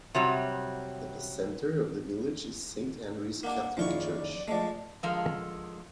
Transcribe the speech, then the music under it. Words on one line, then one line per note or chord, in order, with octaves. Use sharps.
At the center of the village is Saint Henry's Catholic Church.
C3 F#3 G3
A#3 D4 F#5
F#1 D#3 F3 E4 F4 D5 C#6
F3 G#3 A3 D5 A5
D3 F3 G#3 A4 A#4 F5